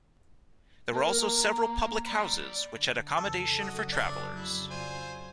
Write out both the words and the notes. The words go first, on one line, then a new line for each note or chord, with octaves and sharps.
There were also several public houses, which had accommodation for travellers.
A#3 A#4
A#5
D5 B5
D3
F2 C#3 E3 A4
F2 C#3 F#3 F#4 D#5
A3 D4 D5 A5
E4
F4 C5 G#5